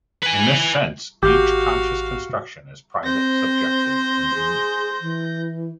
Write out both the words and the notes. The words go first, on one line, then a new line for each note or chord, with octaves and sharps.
In this sense, each conscious construction is private, subjective, and unique.
B4 G#5
G#1 F#4 G4 F5
C4 C5 G6 A#6
G#4
E3